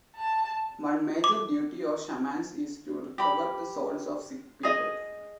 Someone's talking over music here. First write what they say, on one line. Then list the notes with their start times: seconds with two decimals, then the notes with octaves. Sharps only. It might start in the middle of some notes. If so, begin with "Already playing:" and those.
One major duty of shamans is to recover the souls of sick people.
0.16 A5
1.24 D6
3.18 G4 B5
4.63 G#4 D#5